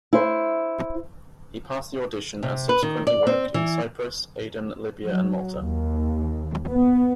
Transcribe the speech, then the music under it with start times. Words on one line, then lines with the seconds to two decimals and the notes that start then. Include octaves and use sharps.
He passed the audition and subsequently worked in Cyprus, Aden, Libya and Malta.
0.13 E4 C5 E5
2.43 C3
2.69 B4
2.83 D#3
3.07 D5
3.27 C4
3.54 E3
5.05 F#3
5.58 D#2
6.69 B3